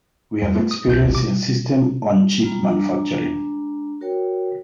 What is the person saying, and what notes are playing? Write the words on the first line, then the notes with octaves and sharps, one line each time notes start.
We have experience in system-on-chip manufacturing.
F2 G#3
A3 B3 F4
D#6
B1 G6
A1 D2
D6
G3 B3 F4 A#5
G#3 D4 A#5
F#4 A#4 C#5 G5